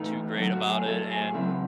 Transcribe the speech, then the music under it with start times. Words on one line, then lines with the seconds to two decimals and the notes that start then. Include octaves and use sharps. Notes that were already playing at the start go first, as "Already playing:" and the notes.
too great about it, and
Already playing: A2 E3 A3 D#4
0.37 A2 F#3 A3
0.53 F#4
0.69 G#4
0.86 A2 F#3 A3 A4
1.10 G#4
1.34 E2 C#3 F#3 C4 E4